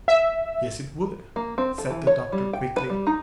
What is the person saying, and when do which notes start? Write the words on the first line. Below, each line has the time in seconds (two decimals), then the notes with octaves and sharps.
"Yes, it would," said the Doctor quickly.
0.08 E5
1.36 A#3
1.58 C4
1.78 A4
1.90 E3
2.07 C#5
2.32 G3
2.53 G5
2.76 B4
2.90 G3
3.07 D#4